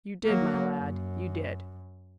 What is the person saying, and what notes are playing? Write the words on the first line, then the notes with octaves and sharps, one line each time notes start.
"You did, my lad; you did."
F#3 A#3
F#2